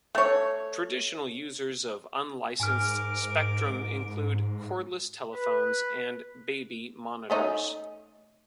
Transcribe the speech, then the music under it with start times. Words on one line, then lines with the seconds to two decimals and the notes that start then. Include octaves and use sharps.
Traditional users of unlicensed spectrum include cordless telephones, and baby monitors.
0.15 A3 C#5
2.60 G#2 A#4 G#5 D6 F6
5.33 B4
7.30 A3 C#4 D#4